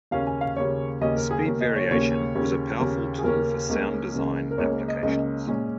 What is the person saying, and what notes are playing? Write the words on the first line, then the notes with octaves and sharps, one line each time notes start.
Speed variation was a powerful tool for sound design applications.
D#2 C#3 A#3 C#4 F5
G#5
F5
D#2 C#3 A#3 C#4 C#5
D#2 C#3 A#3 C#4 D#5
A#4
G#4
D#2 C#3 A#3 C#4 A#4
D#5
C#5
D#2 C#3 A#3 C#4 C#5
D#2 C#3 A#3 C#4
D#2 C#3 A#3 C#4 A#4
G#4
D#2 C#3 A#3 C#4 A#4
C#2 C#3 A#3 C#4
C#2 C#3 A#3 C#4
A#4
C#2 C#3 A#3 C#4 C#5
A#4
D#5
C#2 C#3 A#3 C#4 D#5
A#2 G#3 C#4